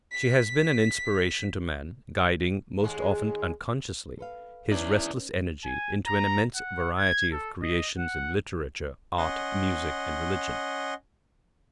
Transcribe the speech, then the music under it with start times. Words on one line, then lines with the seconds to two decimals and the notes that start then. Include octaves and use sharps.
She has been an inspiration to man, guiding, most often unconsciously, his restless energy into an immense variety of creations in literature, art, music and religion.
0.12 B6
2.80 D#2 G#3
4.19 A4 B4 F5
4.71 C#4 D#4 E4 B4 D5
5.65 G#5
6.07 A#5
6.55 F#5
6.98 G#6
7.32 A4
7.62 D#5
7.98 F#5
9.18 C#4 D#5 F#5 C6